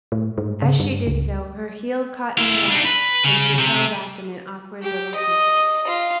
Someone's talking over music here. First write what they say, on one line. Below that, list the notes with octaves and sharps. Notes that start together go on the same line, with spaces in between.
As she did so, her heel caught in the rug, and she fell back in an awkward little heap.
A2
G#2
C#3
G2
C#2
E4 F5
D4 D#4
B4
C#3
C3
G4
D#5
F4